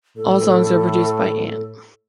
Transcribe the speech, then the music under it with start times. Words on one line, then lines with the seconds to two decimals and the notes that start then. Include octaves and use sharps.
All songs are produced by Ant.
0.17 A2 A4